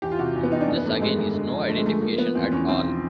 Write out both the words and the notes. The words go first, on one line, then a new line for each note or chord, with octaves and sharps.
This, again, is no identification at all.
E2 G4
F4
C3 F#4
E2
B3
E2 D#4
D4
F#2
B3
G#1 A3
F#2 G#3
F#2
D3
F3
D3 A3
G#3
F3 A3
F3 A#3
A#3
F3 B3
E2 C4
E2 C#4
B1 C4
F3